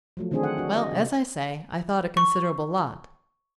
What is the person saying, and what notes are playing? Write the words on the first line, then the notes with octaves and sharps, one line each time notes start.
Well, as I say, I thought a considerable lot.
F3 F#3 A3
D3 D#3 A3 C4 D4 G#4
F#5
D4 F#4
D#5
C3
C#6